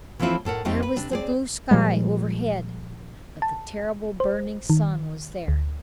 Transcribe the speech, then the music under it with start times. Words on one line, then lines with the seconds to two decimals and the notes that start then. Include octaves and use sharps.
There was the blue sky overhead; but the terrible burning sun was there.
0.19 E3 F3 A3 C4 E4 F4
0.45 A2 A4 A#4 F#5
0.65 F2 A3 C4 D#4 G4 D#5
0.83 B4
0.96 C3 D4
1.11 C4 G#4 D5
1.71 A#2 F3 G3 G#3
3.42 A5
4.20 C5
4.70 D#3
5.48 D2